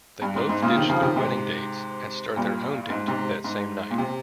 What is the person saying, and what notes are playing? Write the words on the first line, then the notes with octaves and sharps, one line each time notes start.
They both ditch their wedding dates and start their own date that same night.
G2
G#2
G#2
A#2 C#3
C3 D#3
C#3 F3
C3 D#3
G#2 C3
G2 A#2
G#2
G#2 C3
G#2
A#2
C3